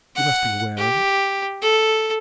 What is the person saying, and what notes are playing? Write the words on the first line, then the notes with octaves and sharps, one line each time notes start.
You must be aware of it.
F#5
G4
A4